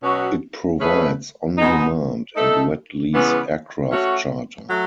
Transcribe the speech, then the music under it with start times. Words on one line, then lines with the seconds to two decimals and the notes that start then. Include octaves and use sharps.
It provides on-demand and wet lease aircraft charter.
0.02 B2 F#3 C#4 F#4
0.80 A3 C#4 G#4 B4
1.58 B2 G#3 B3 D#4
2.35 A3 D#4 A4
3.13 C#3 E3 G#3 B3
3.90 A3 C#4 F#4
4.68 F#3 A3